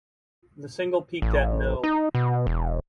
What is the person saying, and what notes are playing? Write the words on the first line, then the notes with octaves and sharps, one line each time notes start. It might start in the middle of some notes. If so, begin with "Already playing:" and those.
The single peaked at no.
A1
D#4
B2
E1